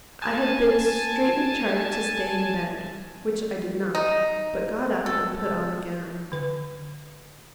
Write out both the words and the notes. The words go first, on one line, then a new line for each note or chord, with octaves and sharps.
I had been straitly charged to stay in bed, which I did not, but got up and put on a gown.
G#5 A5
D#4
A4
D3 B4